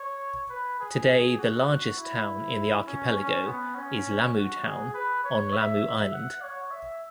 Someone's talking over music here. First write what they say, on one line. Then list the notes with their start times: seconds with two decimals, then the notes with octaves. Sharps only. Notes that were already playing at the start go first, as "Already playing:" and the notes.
Today the largest town in the archipelago is Lamu Town, on Lamu Island.
Already playing: C#5
0.50 B4
0.80 G#4
1.10 G#4
1.39 F#4
1.98 E4
2.87 C#4
3.17 C#4
3.46 B3
3.75 C#4
4.36 F#4
4.64 G#4
4.94 B4
5.24 C#5
5.53 E5
5.83 E5
6.13 F#5
6.43 C#5
6.71 E5